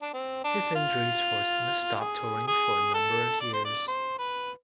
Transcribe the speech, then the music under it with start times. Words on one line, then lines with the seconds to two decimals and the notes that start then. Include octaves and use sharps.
His injuries forced him to stop touring for a number of years.
0.02 D4
0.13 C4
0.44 D4
0.75 F4
1.95 F4
2.00 G#4
2.47 G#4
2.94 A4
3.40 D5
3.53 C5
3.65 D5
3.88 C5
4.18 B4